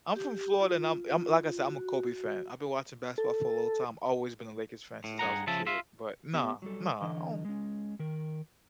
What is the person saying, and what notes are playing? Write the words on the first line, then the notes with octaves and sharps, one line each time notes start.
I'm from Florida and I'm I'm like I said, I'm a Kobe fan. I've been watching basketball for a long time, always been a Lakers fan since I was a kid, but nah, nah, I don't
G4
F4
F#4
A4
A2
G2 G#4 F#5 A#5
C#3 F3 E5 A5
F4 E5
B3 G4 D#5
F#3 G3 A4
D3 E3 D#5
G#3 C#4
D#3 A#4